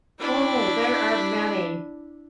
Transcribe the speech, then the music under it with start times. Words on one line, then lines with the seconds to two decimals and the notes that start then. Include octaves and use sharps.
Oh, there are many.
0.19 D4 E4